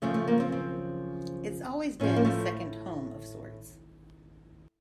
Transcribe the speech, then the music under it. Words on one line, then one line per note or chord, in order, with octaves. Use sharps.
It's always been a second home of sorts.
F#2 C#3 F3 A3
A3
A#3
C4
C4
A2 F3 C#4
A#3
A3